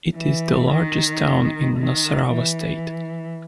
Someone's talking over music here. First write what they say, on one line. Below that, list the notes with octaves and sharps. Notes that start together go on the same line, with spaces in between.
It is the largest town in Nasarawa state.
E3
D#3
D#3
E3